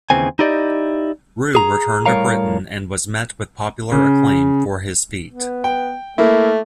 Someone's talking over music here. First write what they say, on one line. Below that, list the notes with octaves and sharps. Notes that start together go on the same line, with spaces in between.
Riou returned to Britain and was met with popular acclaim for his feat.
D#2 C#3 E3 C4 G#5
D#4 E4 G4 D5 D#5
G#4 A#5
A2 G3 A#4 C#5 F5 A#5
C#3
B3
G5
A3 A#3 E4